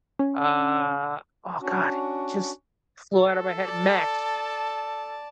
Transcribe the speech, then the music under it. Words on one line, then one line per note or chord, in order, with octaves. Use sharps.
Uh oh, god, just flew out of my head. Max.
C#4
C#4 D4 F#4
A4
D5 A5